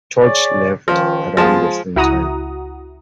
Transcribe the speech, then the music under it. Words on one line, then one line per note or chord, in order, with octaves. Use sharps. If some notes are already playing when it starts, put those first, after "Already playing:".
Tosh left around the same time.
G#4 C#5 D5
C#2 D#3 F3
F3 G#3 B3 A5
C#2 E4 F#4 F#5 A#5 D#6